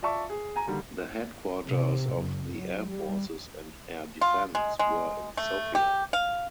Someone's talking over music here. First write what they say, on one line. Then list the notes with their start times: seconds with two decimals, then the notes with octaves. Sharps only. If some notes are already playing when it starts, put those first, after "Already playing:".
The headquarters of the Air Forces and Air Defence were in Sofia.
0.02 F4 D5 E5 A5 C#6
0.30 G#4
0.56 G#5 A#5
0.67 D3 D#3 G3 A#3
1.69 C3
2.16 F#1
2.56 F#3
2.88 G3
4.21 F4
4.55 G#3
4.79 G#3
5.37 A3
5.75 G4
6.13 F5